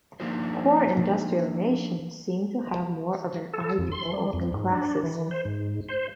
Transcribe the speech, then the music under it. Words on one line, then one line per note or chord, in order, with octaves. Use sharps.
Core industrial nations seem to have more of an ideal open class system.
F3 A#3 D4 D#4 F#4 C5
A4
F2
C6
G3
F2
G#2
D4
E3
C5
G#2
C5